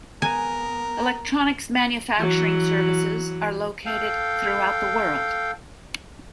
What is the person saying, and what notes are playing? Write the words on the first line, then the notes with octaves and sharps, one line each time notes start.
Electronics manufacturing services are located throughout the world.
B3 A#4 G#5
E3 F#3
A4 F5 G5